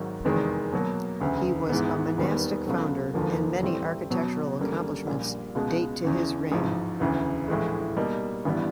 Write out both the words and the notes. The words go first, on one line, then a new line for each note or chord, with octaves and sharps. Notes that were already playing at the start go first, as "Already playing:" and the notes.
He was a monastic founder and many architectural accomplishments date to his reign.
Already playing: G#1 G#2 D#3 F#3
F1 E2 C3 D#3 G#3
B2 F#3 A#3
E1 D2 C#3
G#2 E3 G#3 B3
E1 D#2 D#3 G3 B3
C#2 B2 F#3 A3
E1 D#2 D3 F3 A#3
A2 E3 G3 C4
B2 F#3 B3
F#2 D3 G3 A#3
A#1 A#2 G3
C#2 B2 G#3
E2 C#3 E3
A1 G#2 F3
E1 D2 C#3 E3
A#1 A2 E3 G#3
B2 G3 A#3 D#4
A1 G2 E3 G3 B3